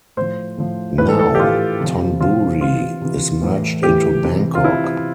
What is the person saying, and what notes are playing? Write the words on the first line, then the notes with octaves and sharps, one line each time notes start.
Now Thonburi is merged into Bangkok.
A2 F3 C5
A2 F3
A2 E3 B4
A4
A4
G4
A2 E3 F4
C3 F3
C3 F3 F4
C3 E3 F4
C3 E3
A2 E3
A2 E3 G4
C3 E3
F4
C3 E3 E4